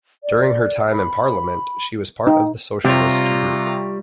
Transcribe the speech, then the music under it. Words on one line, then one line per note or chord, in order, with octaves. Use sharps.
During her time in Parliament, she was part of the Socialist Group.
D5
B5
D#4 G5
C3 G3 F4 G4 C#5 A#5